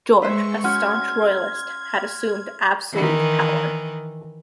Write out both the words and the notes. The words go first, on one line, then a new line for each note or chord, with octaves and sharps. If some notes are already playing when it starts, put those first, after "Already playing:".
George, a staunch royalist, had assumed absolute power.
G#3 B4 C5 E5 C#6
C#4 F#4 F#5 C6 F6 G#6
D#3 E3